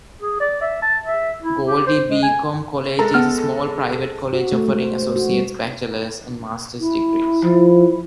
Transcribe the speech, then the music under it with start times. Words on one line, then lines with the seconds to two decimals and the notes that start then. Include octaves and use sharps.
Goldey-Beacom College is a small private college offering associates, bachelors, and master's degrees.
0.21 G#4
0.40 D5
0.61 E5
0.82 A5
1.03 E5
1.43 E4
1.67 G4
1.87 C5
2.10 G#3
2.23 G#5
2.99 G#3 A4 A#5
3.14 B3 F6
4.33 F#4
4.52 A3
4.68 G#3
4.82 C5
5.02 C5
5.16 F#4
5.30 G3
6.80 E4
7.44 F3